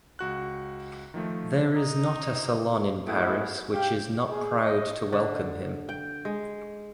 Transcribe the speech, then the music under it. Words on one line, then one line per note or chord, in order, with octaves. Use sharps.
There is not a salon in Paris which is not proud to welcome him.
C#2 F#4 F#6
D#3 F3 A3
D#4
A3 B3 E4 F#4 G#4
G4 F5 G5
G#4
D#5
D3
G5
G#3